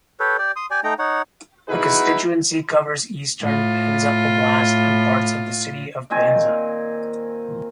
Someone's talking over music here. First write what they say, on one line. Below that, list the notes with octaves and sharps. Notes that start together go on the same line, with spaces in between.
The constituency covers eastern Penza Oblast and parts of the city of Penza.
G4 A4 B4 C#5
G4 D5
C6 D#6
G4 D5 G#5
A3 D#4 G5 A#5
D#4 C#5 F#5
B3 D#4 E4 F#4 G#4 B4
A2 F4
A#2 D#3 C4 G#5